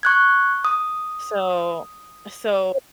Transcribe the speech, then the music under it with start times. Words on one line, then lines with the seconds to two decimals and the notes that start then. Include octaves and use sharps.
So, so
0.03 C#6 F#6 G#6
0.65 D#6